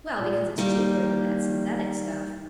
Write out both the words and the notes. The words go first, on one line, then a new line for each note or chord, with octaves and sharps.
"Well, because it's cheaper than that synthetic stuff."
A#2
D#3 G3 A#3